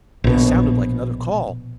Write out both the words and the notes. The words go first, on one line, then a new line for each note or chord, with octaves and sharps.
"It sounded like another call."
A#1 B2